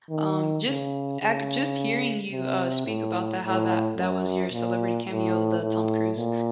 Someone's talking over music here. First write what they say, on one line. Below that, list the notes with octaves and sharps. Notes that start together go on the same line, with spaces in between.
Um, just, ac just hearing you, uh, speak about that, how that that was your celebrity cameo, the Tom Cruise,
D#3
C#3
C#3
C3
A2
A2
F#2
A#2
A2
A2
A#2